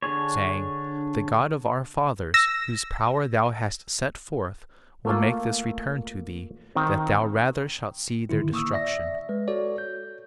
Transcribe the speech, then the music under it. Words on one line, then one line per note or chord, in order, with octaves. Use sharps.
Saying: The God of our fathers, whose power thou hast set forth, will make this return to thee, that thou rather shalt see their destruction.
D3 D4 G#4 C#5
E6 A#6
A3 A#3 F4
D#3 C4
A2 D3 D#3 E4
A#3 C#6 D#6 E6
D5 E5 A#6
G#3 B4
F#4 A4 C#5 D5
G6